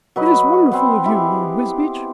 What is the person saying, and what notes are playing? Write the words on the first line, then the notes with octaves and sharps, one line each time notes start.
"It is wonderful of you, Lord Wisbeach."
F#3 B4 D#5
B3 C4
E4 G4 G#4